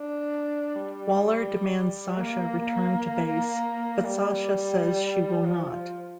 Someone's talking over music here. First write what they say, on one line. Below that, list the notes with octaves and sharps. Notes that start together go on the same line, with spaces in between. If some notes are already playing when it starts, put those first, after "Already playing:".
Waller demands Sasha return to base, but Sasha says she will not.
Already playing: D4
G3
A#3
A#3
G3
F3